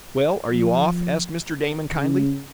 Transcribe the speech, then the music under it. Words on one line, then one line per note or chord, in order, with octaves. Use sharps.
"Well, are you off?" asked Mr. Damon, kindly.
F3
C#3